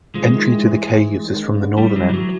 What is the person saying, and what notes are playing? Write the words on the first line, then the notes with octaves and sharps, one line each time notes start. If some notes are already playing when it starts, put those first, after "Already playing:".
Entry to the caves is from the northern end.
F3 G#3
E3
D#3
E3
D#3
C#3
D3
E3 G3
F#3
G3
F#3